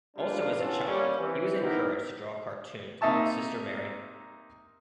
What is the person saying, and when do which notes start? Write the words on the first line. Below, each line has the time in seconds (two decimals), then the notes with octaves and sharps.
Also as a child he was encouraged to draw cartoons by his sister Mary.
0.16 G3 A#3 D4 D#4 F4
0.58 E3 B3 C#4 F4 A4
0.87 G3 A#3 C#4
1.18 E3 C4
1.62 B3 D#4 E4 G4 A#4
3.01 C3 A#3 D#4 E5 A5 C#6